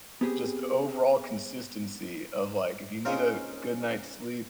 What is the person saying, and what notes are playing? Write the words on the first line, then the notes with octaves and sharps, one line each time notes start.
just overall consistency of, like, if you need a good night's sleep,
B3 C4 G4 G#4
A#3 C4 C#4 D#4 F4 G#4